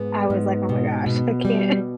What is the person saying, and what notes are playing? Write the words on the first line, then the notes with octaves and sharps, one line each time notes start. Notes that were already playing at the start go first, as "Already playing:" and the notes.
I was like, oh my gosh, I can't
Already playing: G#2 B3
G#2
B2
B2
G3